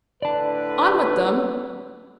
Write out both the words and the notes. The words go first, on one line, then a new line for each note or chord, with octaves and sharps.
On with them!
A2 D3 B4 D5 A5